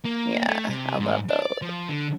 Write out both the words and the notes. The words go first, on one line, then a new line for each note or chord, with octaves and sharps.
Yeah, I love those.
A#3
A3
C3
G#2
D4
D5
F3
D3